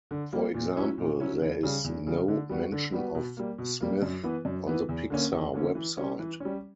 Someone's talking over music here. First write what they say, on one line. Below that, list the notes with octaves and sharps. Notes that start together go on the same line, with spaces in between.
For example, there is no mention of Smith on the Pixar website.
D3
G3 A#3
A#2
F#3 C#4 E4
A#2
F#3 C#4 E4
E2
C#3 G3
E2
C#3 G3
D3
G3 B3 F#4
D3
G3 B3 F#4
B2
G3 A#3
B2
G3 A#3
F#2
E3 B3
F#2
E3 B3
E2
D3 A#3 C#4
E2
D3 A#3 C#4
E3
G3 C#4
E3
G3 C#4